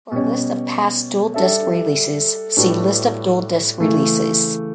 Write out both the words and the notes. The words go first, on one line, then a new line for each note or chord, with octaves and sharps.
For a list of past DualDisc releases, see "List of DualDisc releases".
B2 G3 C#4
G3 D4 A4 E5
A2 G3 D4 F#4 B4
C#3 E3 A3